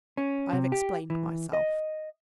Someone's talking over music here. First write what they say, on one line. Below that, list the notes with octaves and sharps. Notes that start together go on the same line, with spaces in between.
I have explained myself.
C#4
C3
G4
E3
D#5